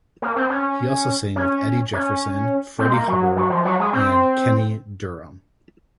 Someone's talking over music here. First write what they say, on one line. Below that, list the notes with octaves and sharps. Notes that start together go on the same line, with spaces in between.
He also sang with Eddie Jefferson, Freddie Hubbard, and Kenny Dorham.
A#3
C4
C#4
C#4
C#4
C4
G#3
A#3
F#3
F#3
F3
F#3
G#3
C4